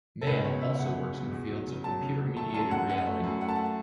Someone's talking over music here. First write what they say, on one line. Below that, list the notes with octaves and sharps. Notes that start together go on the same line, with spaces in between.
Mann also works in the fields of computer-mediated reality.
A4
C#2 B4
B2 C#5
C#2 E5
C#2 F#5
C#2
B2
E2
F#3
C#3
F#3 A5
C#3
F#3
A3 A5
F#2 A5
F#2 F#5
F#2 F#5
A3
F#2
A3 F#5
A5
A3 F#5